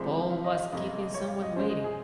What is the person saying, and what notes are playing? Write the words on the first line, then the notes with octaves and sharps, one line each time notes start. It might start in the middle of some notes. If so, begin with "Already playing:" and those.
Paul was keeping someone waiting.
Already playing: C2 C3 F3 G#3 C5
F5
D#5
F5
F#1 F2 C3 D#5
F5
D#5
C#5
F5
D#5
F#2 C#3 G#3 C5
D#5
G#4